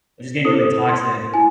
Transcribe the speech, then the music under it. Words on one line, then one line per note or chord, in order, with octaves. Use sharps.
just getting really toxic,
E4 A4 C5 D#6
C6
E4 G#5